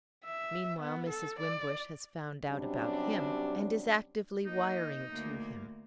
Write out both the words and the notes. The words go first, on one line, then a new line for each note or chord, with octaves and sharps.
Meanwhile Mrs. Wimbush has found out about him, and is actively wiring to him.
E5
B3
A4
D5
C3 F#3 G3 C#4 D4
A#3 D#4 D#5
D2 A#3